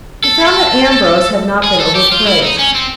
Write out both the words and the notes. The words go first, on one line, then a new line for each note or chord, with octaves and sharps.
He found that Ambrose had not been overpraised.
A4
A4
G#4
A4
G4
F4
E4
D#4
C#4
C4